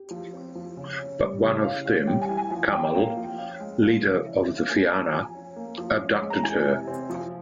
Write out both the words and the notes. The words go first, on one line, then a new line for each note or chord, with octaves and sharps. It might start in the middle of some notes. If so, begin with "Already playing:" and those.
But one of them, Cumhal, leader of the fianna, abducted her.
Already playing: G4
F3
C4
F3
C#3
C#4
G3
C#3
E3 F5
C#4
G3 G5
G#5
E3
G#5
F3 G#5
C#4 G5
A#3 F5
F5
F3
G5
C#4 F5
G#3
F3
C#3
E3 E5
C5
C#4 E5
F5
A#3 G#5
E3 A#5
F3 G#5
C#4
A#3
F3
C#4
G#3
A#5
E3 G#5
C3
C4
F3